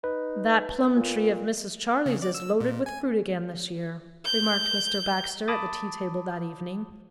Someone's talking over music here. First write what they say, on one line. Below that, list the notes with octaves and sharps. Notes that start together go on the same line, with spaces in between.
"That plum tree of Mrs. Charley's is loaded with fruit again this year," remarked Mr. Baxter at the tea table that evening.
D#4 B4
A#2
C#3
D5
E6
A#2
G#5
G6
A5 B5 D6 D#6 A6